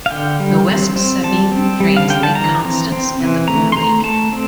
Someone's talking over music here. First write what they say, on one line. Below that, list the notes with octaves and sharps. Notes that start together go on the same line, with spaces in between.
The West Sabine drains Lake Constance and the Blue Lake.
F5
D3 G5
G3
C4
C4
G3 A5
C4
G3
F5
D3 G5
A5
E3 A#5
C4
C4
E3
A3 A#5
C6
A3 A#5
A3 A5
C4